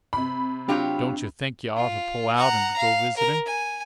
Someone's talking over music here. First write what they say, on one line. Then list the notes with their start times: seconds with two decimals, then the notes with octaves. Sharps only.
"Don't yuh think yuh ought to pull out and go visiting?"
0.13 C3 B5
0.68 F#3 D4 F4 G4 G5
1.77 F4
2.36 F#5 A#5
2.78 F5
3.17 A#4
3.46 G#5